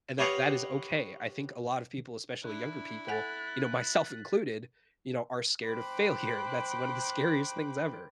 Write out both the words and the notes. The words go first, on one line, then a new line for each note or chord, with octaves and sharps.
and that that is okay. I think a lot of people, especially younger people, you know, myself included, you know, are scared of failure. That's one of the scariest things ever.
G4 B4 C#5 D#5 F5 F#5
D4 E4 F#6
A4 F#5 G#5 F#6 A6 B6
C5 G5 B5 D6 F#6